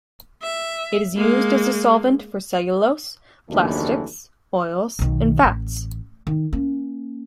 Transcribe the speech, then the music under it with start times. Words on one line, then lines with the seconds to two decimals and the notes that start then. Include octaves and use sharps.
It is used as a solvent for cellulose, plastics, oil and fats.
0.43 E5
1.16 G#3 A#3
3.49 F#1 D#2 A2 E3 A3 D4
4.99 B1 D#3
5.43 A1
6.27 D#3
6.53 A#3 C#4